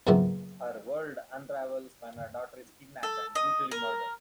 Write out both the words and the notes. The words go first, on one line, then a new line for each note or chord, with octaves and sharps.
Her world unravels when her daughter is kidnapped and brutally murdered.
F#2 A#2 C#3 B3 C4 E4
A4
D#5
A#4